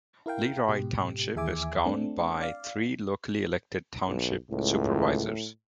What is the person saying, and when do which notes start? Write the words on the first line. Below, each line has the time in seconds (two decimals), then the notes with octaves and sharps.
Leroy Township is governed by three locally elected Township Supervisors.
0.26 E4 A#4 F5 G5
0.68 G#2 B2 G4
1.35 D#2 E3 G#4 E5 G#5 D6
1.86 A3 C4 D4
2.41 D5 F5
4.07 B1
4.51 C#2 A2